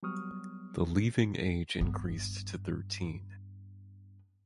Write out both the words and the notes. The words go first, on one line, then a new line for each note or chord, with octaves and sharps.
The leaving age increased to thirteen.
F#3 G3 B3 C#6 D#6 F6
G2 B3